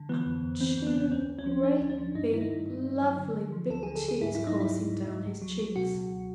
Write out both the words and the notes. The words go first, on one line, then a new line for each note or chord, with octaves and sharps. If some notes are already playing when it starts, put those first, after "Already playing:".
And two great big lovely big tears coursing down his cheeks.
Already playing: D3
E3 B3
F2
F2
E3 C4
F2
B3
C#3
D2 C4
D2
C#4
F3
F3 D4
D2
D4
F3
G2 D#4
D#3 E4
D#4
G2
G2
G2
F#3
D3
D3
F3
D2 A4
G#4
D3
A4
D2 G#4
G#2 E4
E4
F#3
D#4
G#2 E4
G#2
G#2
G#2
C#2
F#3
F#3
B2 F#4
C#2